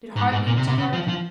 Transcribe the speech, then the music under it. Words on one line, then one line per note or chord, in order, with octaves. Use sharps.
Did heart leap to heart?
G#2
G#2
A#2
C3
C3
C#3
F3
F3